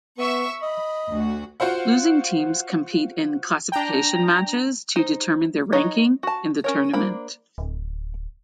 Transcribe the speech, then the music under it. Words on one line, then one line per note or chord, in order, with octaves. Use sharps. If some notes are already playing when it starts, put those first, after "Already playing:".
Losing teams compete in classification matches to determine their ranking in the tournament.
B3 E5 C#6
D#5 B5
D2 F#4
F4 F#4 C5 F#5
D4 G5 A#5
D#4 C5
F#3 D#4 B4 C#5 A#5
F#4 A5
C#4 A#4 C#5
A#3 D4 C5 B5
D1